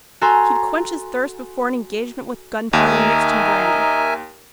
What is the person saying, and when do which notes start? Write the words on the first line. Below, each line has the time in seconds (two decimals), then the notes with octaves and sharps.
He'd quench his thirst before an engagement with gunpowder mixed in brandy.
0.21 F#4 A4 G#5 A#5 C6
2.73 D#2 D#4 A#4 E5 G#5